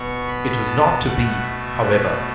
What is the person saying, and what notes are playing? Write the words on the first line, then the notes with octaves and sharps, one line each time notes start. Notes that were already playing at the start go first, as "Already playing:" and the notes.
It was not to be, however.
Already playing: B2 B3 C#6
B5
A5
B2 A3 F#5
E5
B4